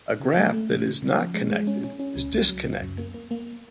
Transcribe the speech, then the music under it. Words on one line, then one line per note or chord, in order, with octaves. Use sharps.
A graph that is not connected is disconnected.
C#3
A3
A3
C#3
C#3
C#3
F3
G#3
G#3
C#4
C#4
C#4
C#2
C#2
F#3
C#3
F#2
A#3
A#3
A#3